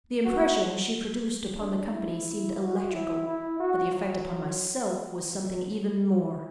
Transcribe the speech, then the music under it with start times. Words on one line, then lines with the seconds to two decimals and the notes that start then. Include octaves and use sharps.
The impression she produced upon the company seemed electrical but the effect upon myself was something even more.
0.25 F#4
1.60 D4
1.92 E4
2.59 F#4
2.93 E4
3.27 E4
3.60 F#4
3.94 F#3